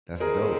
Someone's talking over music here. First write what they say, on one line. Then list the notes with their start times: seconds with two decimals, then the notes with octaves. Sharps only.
That's dope.
0.20 B3 E4 G4 G#4 A#4 C5 D#5